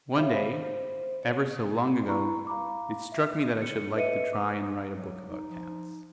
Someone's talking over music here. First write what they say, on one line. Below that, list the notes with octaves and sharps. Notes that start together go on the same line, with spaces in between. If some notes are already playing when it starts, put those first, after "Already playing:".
One day, ever so long ago, it struck me that I should like to try and write a book about Cats.
G4 C#5 E5 F5 B5
C5
C#5
E4 A#5 B5 C#6
F5 A#5 B5 D6
E5
C#7
A4 B4 D#5 E5 C#7 D#7
D6
F#3
D#4
F3